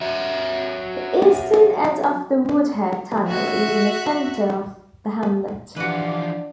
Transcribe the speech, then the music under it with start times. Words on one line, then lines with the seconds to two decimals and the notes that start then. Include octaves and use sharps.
The eastern end of the Woodhead Tunnel is in the centre of the hamlet.
0.01 F#3 F#4 E5
3.28 F#4 E5
5.76 E3 F3 D4 F#4 G4 B4 F5 D6